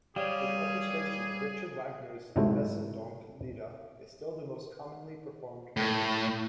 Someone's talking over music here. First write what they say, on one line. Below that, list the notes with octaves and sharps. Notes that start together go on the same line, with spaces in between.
His orchestration of Richard Wagner's "Wesendonck Lieder" is still the most commonly performed version.
G3 G4 G#4 C#5 D5 F5
G#2 C3 F#3 G#3 A3 E4
A2